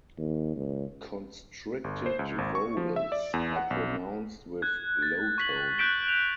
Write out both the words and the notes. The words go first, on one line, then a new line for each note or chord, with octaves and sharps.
Constricted vowels are pronounced with low tone.
D#2
C#2
G1
C5
C#2
G#1
C#6
F3
E5
D5
E2
F#5
B1
F#6 G#6
A6
C#6 B6 F#7
F#6 G6 B6 D7 E7 G7
F7